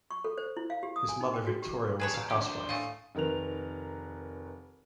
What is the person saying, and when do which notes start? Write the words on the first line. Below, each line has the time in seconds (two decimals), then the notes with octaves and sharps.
His mother, Victoria, was a housewife.
0.11 C#6
0.24 A4
0.38 C5
0.57 E4
0.70 F5
0.83 G4
0.96 D#6
1.09 G#5
1.21 D#4
1.34 G5
1.47 F#4
1.62 G4
2.00 G#4 B4 C#5 G5 A5 A#5
2.14 F5
2.30 D3 F#3 C#4 G4
2.44 D4 C5
2.69 A2 A3 F5 G#5 D#6
3.15 F1 D#3 A#4 B4 F7